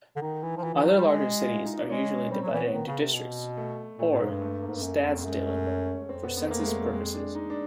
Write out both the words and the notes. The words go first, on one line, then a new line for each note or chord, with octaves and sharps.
Other large cites are usually divided into districts, or stadsdelen, for census purposes.
D3
D#3 D#4
E3 E4
F3
E3 F4
E3
F#3 G4
G3
G#3 G4
F4
E4
D#4
D4
G#3 C#4
G3 C4
F#3
E3 B3
D#3
C#3
C3
B2
A3
A#2 A3
A2
G#2 G#3
G2
A3
A#3
G#2
G2
F#2 A#3
F2 A3
F#2 G#3
A3
C#4
F2 C4
B3
B3
A3
A#3
G#3
A3
A3
G#3
D4
D#4
D4